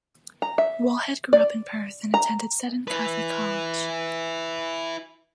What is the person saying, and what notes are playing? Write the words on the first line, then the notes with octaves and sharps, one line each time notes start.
Wallhead grew up in Perth and attended Seton Catholic College.
A#5
E5
D5
A#5
E4 B4